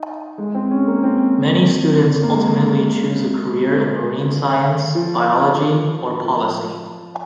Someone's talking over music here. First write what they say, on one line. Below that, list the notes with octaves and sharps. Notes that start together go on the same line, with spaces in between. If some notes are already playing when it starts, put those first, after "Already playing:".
Many students ultimately choose a career in marine science, biology, or policy.
Already playing: D#4
G#3
C4
C#4
A#3
C4
A#3
G#3
F3
F3